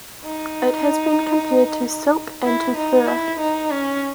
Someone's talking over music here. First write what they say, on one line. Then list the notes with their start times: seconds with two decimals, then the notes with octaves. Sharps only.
It has been compared to silk, and to fur.
0.24 D#4
2.44 E4
2.77 D#4
3.07 E4
3.40 D#4
3.71 C#4